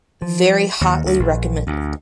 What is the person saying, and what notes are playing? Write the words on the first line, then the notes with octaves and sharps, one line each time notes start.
Very hotly recommended.
F3
D#2
D2
A#1
D2